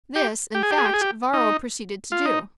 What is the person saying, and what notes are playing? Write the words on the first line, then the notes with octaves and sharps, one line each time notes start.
This in fact Varro proceeded to do.
G4
G4
G#4
G4
G#4
G4
G#4
G4
D#4
F4
D#4